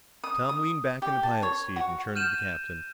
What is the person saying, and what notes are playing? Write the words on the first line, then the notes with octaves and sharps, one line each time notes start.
Tom leaned back in the pilot's seat and turned to the captain.
D#6
D#6
G4
A5
C#5
F#4
F6 G6 D#7 E7 F#7